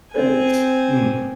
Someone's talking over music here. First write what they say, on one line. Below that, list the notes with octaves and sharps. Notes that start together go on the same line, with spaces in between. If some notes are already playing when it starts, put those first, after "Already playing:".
And it's mm.
C4 G#5